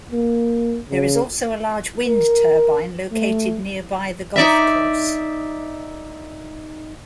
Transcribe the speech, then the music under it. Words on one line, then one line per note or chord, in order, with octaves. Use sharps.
There is also a large wind turbine located nearby the golf course.
A#3
C#3
A#4
A3
D#4 D5 E5